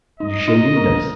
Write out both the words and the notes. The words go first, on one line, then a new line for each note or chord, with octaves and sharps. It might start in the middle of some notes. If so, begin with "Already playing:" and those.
You shall lead us.
D#4 D#5
D#4
A#4